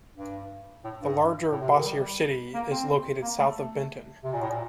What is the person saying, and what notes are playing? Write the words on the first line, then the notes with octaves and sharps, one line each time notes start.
The larger Bossier City is located south of Benton.
G2
A2
G2
A2
C3
D3
D#3
G3
A#3
C4
A#3
A3
A3
C3
A#2
A2
A#2